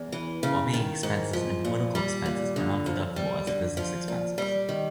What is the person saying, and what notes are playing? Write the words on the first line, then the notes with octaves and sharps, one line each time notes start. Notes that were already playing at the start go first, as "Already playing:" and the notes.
Lobbying expenses and political expenses are not deductible as business expenses.
Already playing: E2
E3
C#3
D#3
G#2
F3
A#2
G3
A#2
D3
F2
G3
D3
F3
A#2
G3
D#3